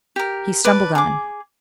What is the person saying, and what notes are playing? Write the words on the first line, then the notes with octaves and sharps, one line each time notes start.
He stumbled on.
G4 A#4
B4 D5 A5
G#4 D6